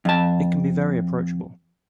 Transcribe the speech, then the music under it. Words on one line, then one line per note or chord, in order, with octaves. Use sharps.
It can be very approachable.
F2 A5